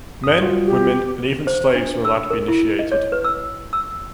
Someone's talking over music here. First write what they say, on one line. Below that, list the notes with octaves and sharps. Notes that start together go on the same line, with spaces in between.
Men, women and even slaves were allowed to be initiated.
G2 D#6
G3 F4 F#4
G4
C5
D4
E6
A#4
E4
D#5
C#5
B4
E6
E6